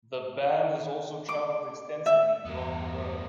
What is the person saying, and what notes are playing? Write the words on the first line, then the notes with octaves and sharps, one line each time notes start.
The band has also traveled extensively throughout the world.
D6
E5
E2 G2 B3 A#4